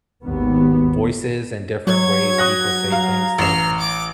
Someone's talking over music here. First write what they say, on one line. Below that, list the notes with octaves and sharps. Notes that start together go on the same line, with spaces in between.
voices and different ways people say things to
G#1 D#2 B3
F#3 C#5 G#6
D#6 F#6 A#6
F5 A#5
A1 F6 C7 E7
D6 D7